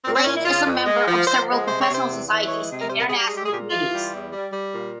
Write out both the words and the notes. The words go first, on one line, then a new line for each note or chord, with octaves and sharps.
Blade is a member of several professional societies and international committees.
A#2 C4
C4
A#2 C#4
E4
C#3 F4
F2
G#3
F3
F3 C5
G#3
C3 C5
C#5
C3
C5
E2
E3
G#3 C#5
C3
A#4
G3 C5
A#4
G3 G#4
G4
G#3 G#4
G4
G#4
A#2 G4
E3 F4
G3
E2
G3
G3
A#2